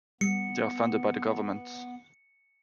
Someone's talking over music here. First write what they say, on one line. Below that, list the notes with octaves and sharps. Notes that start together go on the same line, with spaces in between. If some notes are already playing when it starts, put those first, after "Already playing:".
They are funded by the government.
G3 B3 C#7